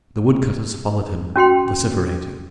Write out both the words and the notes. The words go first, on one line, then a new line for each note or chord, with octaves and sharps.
The woodcutters followed him, vociferating.
C#4 F#4 G5 C6